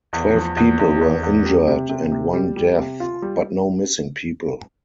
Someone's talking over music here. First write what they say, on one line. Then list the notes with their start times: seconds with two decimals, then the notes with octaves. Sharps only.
Twelve people were injured and one death, but no missing people.
0.13 E2
0.34 F3
0.57 E2
0.79 E2
1.01 E2
1.23 E2
1.45 G3
1.67 C3
1.89 C3
2.12 C3
2.33 G3
2.56 G3
2.78 C3
3.00 F4
3.22 G3